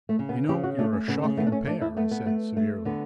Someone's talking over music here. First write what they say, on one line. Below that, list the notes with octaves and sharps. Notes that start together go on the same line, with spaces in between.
"You know, you're a shocking pair!" I said severely.
A3
C#3
B3
C#3 G4
F#4
A3 D4
C#4
C#3 B3
A3
A3 B3
D4
C#4
A3 D4
E4
A3 B3
B3
A3
A3
D3 B3